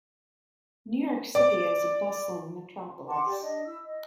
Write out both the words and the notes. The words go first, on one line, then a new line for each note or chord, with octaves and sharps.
New York City is a bustling metropolis.
D5
F#5 A5 C6 D6
G4 D5
D4 D#5
E4 E6
D#5